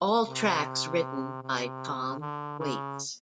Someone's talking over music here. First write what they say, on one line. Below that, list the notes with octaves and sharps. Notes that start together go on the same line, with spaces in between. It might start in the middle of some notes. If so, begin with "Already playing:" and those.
All tracks written by Tom Waits.
C3
C3
D3
C#3